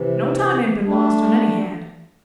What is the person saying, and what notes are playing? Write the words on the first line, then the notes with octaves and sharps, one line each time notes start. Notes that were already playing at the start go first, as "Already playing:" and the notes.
No time ain't been lost, on any hand.
Already playing: C3 E3
A3 D4